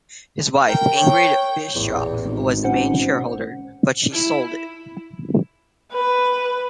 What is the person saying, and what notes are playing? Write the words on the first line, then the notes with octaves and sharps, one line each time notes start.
His wife Ingrid Bischoff was the main shareholder, but she sold it.
A#4 G5
C#5
A1 E2 A#2
G#1
C#4 C5 F#5
E4
B4